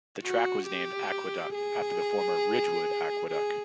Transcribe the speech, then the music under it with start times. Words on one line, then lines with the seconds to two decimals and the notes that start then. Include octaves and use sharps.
The track was named "Aqueduct" after the former Ridgewood Aqueduct.
0.23 F#4
0.67 G4
1.54 G#4
3.31 G#4